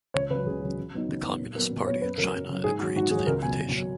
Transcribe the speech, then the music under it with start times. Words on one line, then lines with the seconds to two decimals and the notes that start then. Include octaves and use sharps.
The Communist Party of China agreed to the invitation.
0.14 C#2 C#5
0.30 C#3 B4
0.35 F#3
0.46 C#2 G#4
0.61 C#3 F#3
0.77 C#3
0.93 F#3 B3 D#4
1.08 C#3
1.24 F#3 B3 D#4
1.39 A#2
1.55 F#3 B3 A#4
1.70 A#2
1.87 F#3 B3 C#5
2.02 F#2 B4
2.18 C#3 F#3 A#4
2.33 F#2
2.49 C#3 F#3
2.64 G#2 G#4
2.80 D#3 F#3 F#4
2.96 G#2 F#4
3.11 D#3 F#3 G#4
3.27 C#2 A#4
3.42 B2 F#3 G#5
3.59 C#2
3.74 B2 F#3